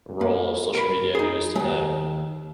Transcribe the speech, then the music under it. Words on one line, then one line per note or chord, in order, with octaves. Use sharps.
role of social media news today?
A#3
A#4 B5
D#4 G#4
D#2 G#3